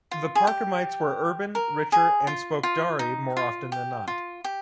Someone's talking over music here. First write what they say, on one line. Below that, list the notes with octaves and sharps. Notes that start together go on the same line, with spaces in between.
The Parchamites were urban, richer, and spoke Dari more often than not.
F4
G#4
G4
A#4
G#4
F4
F4
D#4
F4
G4
F4
G4